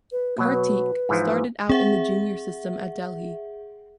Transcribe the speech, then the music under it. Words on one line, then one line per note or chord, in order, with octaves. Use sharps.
Kartik started out in the junior system at Delhi.
B4
B2 F#3 A#3
B4
G#2 E3 F3
C4 G#4 E5 F#5